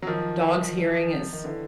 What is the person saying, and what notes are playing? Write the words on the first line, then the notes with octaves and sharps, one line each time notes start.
dog's hearing is
F#3
D#3 F3
D#3
D3 E3